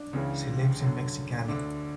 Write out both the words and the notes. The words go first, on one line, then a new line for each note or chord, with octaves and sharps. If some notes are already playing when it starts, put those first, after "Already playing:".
She lives in Mexicali.
Already playing: D4
C#2 C#3 E3
F#2 D3
D2 D3 D4